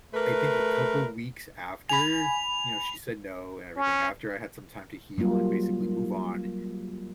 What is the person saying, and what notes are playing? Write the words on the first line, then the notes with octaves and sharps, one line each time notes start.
I think a couple weeks after- you know, she said no and everything- after I had some time to heal and basically move on,
A3 A#4 B4
G#5 B5 F7
C#4
F#3 G3 A#3 F4